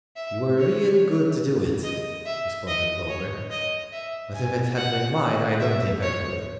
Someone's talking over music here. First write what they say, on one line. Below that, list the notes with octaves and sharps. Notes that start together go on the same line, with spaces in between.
"You were real good to do it," responded Clover; "but if it had been mine I don't think I could."
E5
C#5
D#5
E5
D#5
C#5
D#5
E5
G#5
F#5
E5
C#5